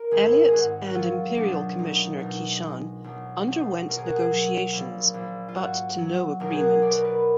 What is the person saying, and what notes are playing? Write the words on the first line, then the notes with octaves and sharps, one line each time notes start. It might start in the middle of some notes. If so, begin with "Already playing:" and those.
Elliot and Imperial Commissioner Qishan underwent negotiations but to no agreement.
Already playing: A#4
G#1 G#4
G#4
G#2 F#4
F#4
F#3 F4
B1 D4
B1 D#4
B2 D#4
G#3
B1
B1
B2 A#4
G#4
F#4
G#4
F#3
A#1
A#1
F4
G#2 F#4
F#3
B1 A#4
G#4
F#4
G#4
B1 D5
B4
A#4
B4